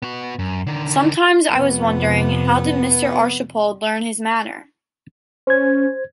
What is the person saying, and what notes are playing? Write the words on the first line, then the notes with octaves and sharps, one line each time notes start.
Sometimes I was wondering how did Mr Arshipald learn his manner.
B3 F#4
F#2
D3 D#3
F2 C3 B3
C#4 C5 G#6